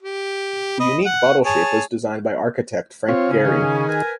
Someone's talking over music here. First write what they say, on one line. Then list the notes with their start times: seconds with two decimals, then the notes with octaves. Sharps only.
The unique bottle shape was designed by architect Frank Gehry.
0.03 G4
0.80 D#5 B5
1.06 F#5
1.45 G#4 C#5 A5
3.08 C4 F4 C#5
3.29 C#3 C#4
3.45 D#3 G#4
3.87 A#4 B4 G#5